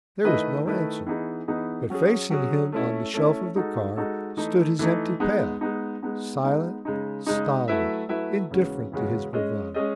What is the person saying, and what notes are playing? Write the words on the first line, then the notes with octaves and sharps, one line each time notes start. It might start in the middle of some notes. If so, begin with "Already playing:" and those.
There was no answer; but facing him on the shelf of the car stood his empty pail, silent, stolid, indifferent to his bravado.
D#3 A3 E4 B4 D#5
D#3 A3 E4 B4 D#5
E3 B3 D#4 G#4
E3 B3 D#4 G#4
F#3 C#4 G#4
F#3 C#4 G#4
A3 C#4 E4
A3 C#4 E4
G#3 D#4 F#4 A4
G#3 D#4 F#4 A4
E3 A3 D#4
E3 A3 D#4
G#3 B3 D#4
G#3 B3 D#4
G#3 B3 D#4
G#3 B3 D#4
C#3 G#3 D#4
C#3 G#3 D#4
F#3 A3 E4 B4 E5
F#3 A3 E4 B4 E5
E2 C#3 G#3 C#4 F#4
E2 C#3 G#3 C#4 F#4
G#3 C#4 G#4 D#5
G#3 C#4 G#4 D#5